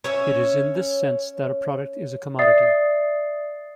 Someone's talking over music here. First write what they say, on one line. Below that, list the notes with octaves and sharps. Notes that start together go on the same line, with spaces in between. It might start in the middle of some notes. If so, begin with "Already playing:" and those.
It is in this sense that a product is a commodity.
C#4 C#5 E5
D5 E5 D#6 A6 C7